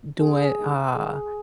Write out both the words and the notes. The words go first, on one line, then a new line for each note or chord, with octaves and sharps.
doing, uh
F2 D#3 A#3 G#4
G2 D#3 A#3
F2 D#3 G#3 G#4